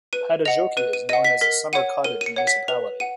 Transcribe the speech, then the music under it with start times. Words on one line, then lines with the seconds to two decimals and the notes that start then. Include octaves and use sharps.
Padasjoki is known as a summer cottage municipality.
0.13 B4 D#7
0.45 D#5 F#5 F7
0.77 B4 D#7
0.93 D#7
1.09 D#5 F#5 D#7
1.24 B6
1.41 A#4 B6
1.73 C#5 F#5 D#7
2.04 A#4 D#7
2.21 D#7
2.26 C#7
2.36 C#5 F#5
2.47 B6
2.68 B4 F7
3.00 F#5 D#7